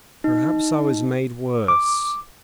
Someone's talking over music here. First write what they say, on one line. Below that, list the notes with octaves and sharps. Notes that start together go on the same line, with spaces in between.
Perhaps I was made worse.
D#4
D6